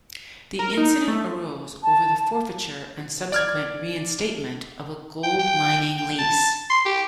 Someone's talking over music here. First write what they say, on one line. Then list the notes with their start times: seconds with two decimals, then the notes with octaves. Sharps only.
The incident arose over the forfeiture and subsequent reinstatement of a gold mining lease.
0.59 A#4
0.77 D#4
1.08 A3
1.83 A5
3.32 D5 F6 G#6
5.23 G5
5.39 G5
5.98 G5
6.18 A5
6.70 C6
6.85 G4